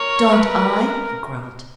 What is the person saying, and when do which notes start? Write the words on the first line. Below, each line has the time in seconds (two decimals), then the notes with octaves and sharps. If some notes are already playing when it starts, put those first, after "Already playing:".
"Don't I?" he growled.
Already playing: A#4 C#5
0.33 A#4 B4